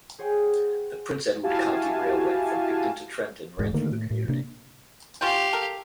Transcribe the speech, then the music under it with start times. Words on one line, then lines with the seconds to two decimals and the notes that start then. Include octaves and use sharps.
The Prince Edward County Railway from Picton to Trenton ran through the community.
0.18 G#4 C5 C#5 F#5 G5
1.43 E4 F#4 G4 F5 G#5 A5
3.59 E1 G#2 G#3
3.74 D3 D#3 A3 A#3
3.91 A2
4.11 A2
4.29 C3 A#3 D4
5.21 C#4 F4 G4 F5 G5
5.53 A4 A#4